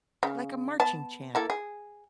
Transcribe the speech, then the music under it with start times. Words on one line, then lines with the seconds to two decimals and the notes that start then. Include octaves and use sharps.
like a marching chant?
0.23 C#3
0.80 B3 A5
1.35 A#3 E4 A4
1.50 G#4